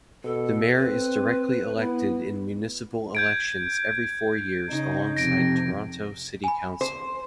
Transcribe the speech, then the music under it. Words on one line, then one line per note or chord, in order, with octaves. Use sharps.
The mayor is directly-elected in municipal elections every four years alongside Toronto City Council.
B2 A4
C4 B4
B3 E4
G6 G#6 D7
C#3 D#4
F2 C3 A#6 D7
G#5 B5
C5